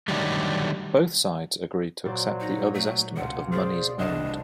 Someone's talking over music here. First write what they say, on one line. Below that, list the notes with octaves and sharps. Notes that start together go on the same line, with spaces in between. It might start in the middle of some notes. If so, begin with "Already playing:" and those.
Both sides agreed to accept the other's estimate of monies owned.
D3 D#3 F#3 G3 A3
A#2 F#3 C5 D5
D#4 G6 A#6
A3
C#2 B2 F#5
F4 G#4 C5 D5
F1 C2 D4 D#5 A5